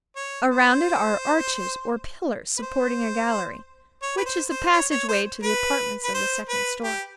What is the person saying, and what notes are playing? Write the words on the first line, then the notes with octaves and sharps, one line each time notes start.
Around it are arches or pillars supporting a gallery, which is the passage-way to the apartments of the second story.
C#5
C5
B4
C5
C#5
B4
C5
C5
C#5
C#5
C5
B4
B4
C5
B4
G4